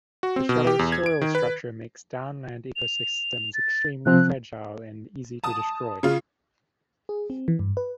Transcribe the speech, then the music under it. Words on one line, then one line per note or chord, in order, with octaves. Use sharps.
This shallow soil structure makes downland ecosystems extremely fragile and easy to destroy.
F#4
C4
B2
G4
E2
G#6
D7
D#3
B4
F7
A6
C3 F3 C4 F#6
A5 D#6
C#3 F4
G#4
C4
E3
G2
B4